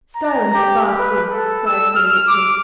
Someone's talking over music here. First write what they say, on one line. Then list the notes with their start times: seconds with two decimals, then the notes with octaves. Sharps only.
"Silence, bastard!" cried Sir Richard.
0.15 A#5
0.54 G4
0.97 B4
1.30 A4
1.66 E6
1.95 F6
2.27 D6